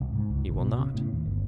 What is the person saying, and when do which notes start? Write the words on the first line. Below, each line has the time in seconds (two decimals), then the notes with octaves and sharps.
He will not.
0.01 C2
0.13 G#2
0.30 C#2
0.46 G#1
0.59 B2
0.79 C#3
0.95 A2
1.13 D#2
1.25 G1